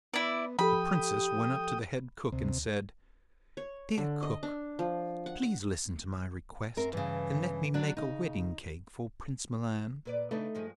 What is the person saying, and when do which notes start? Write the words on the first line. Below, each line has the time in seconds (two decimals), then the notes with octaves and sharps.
The Princess went up to the head cook, and said, 'Dear cook, please listen to my request, and let me make a wedding-cake for Prince Milan.'
0.14 B3 E4 D5
0.59 F3 G4 A4 G5 B5 D#6
2.32 D2 C3
3.57 C#5
3.98 D3
4.23 D#5
4.43 D4
4.79 F3
5.26 F#5
5.43 F#5
6.77 F#2 C4 A#4
6.93 G2 C#3 E3
7.74 F#3 D4
7.97 C#3 D#4
10.05 A#2 B4 D5
10.31 C#3 A3 D4 D#4 B4
10.55 G2 F3 G#3